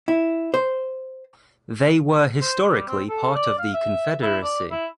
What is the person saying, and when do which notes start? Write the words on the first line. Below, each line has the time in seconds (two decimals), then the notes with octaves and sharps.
They were historically part of the confederacy.
0.08 E4
0.54 C5
2.41 C5
2.62 G3
2.88 C4
3.09 A4
3.35 D5
3.59 F5
3.74 E5
4.23 E4
4.43 D5
4.72 E4